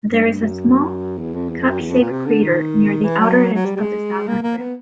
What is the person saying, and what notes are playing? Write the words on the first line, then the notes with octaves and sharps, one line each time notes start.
There is a small, cup-shaped crater near the outer edge of the southern rim.
G2
G2
F#2
E2
F2
E2
F2
F#2
E2
F2
A#2
C3
D3
D#3
E3
F#3
F#3
G3
G3
G#3
A#3
A#3
B3